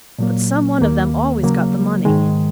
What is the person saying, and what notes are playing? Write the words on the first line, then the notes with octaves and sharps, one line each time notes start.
But some one of them always got the money.
A#2 F#3 A#3
D#2 D#3 A#3
C#3 F#3 A#3
G#2 D#3 G#3